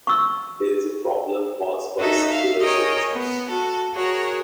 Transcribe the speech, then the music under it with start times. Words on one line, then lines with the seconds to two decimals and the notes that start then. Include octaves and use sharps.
There is a problem caused by singular solutions.
0.07 C#6 E6
1.97 D#4 F#4 A4 E5
2.28 E5 F5
2.59 G#4 A#4 C#5 D#5 G5
3.10 B3
3.48 F#4 A4
3.93 F#4 G#4 A#4 C#5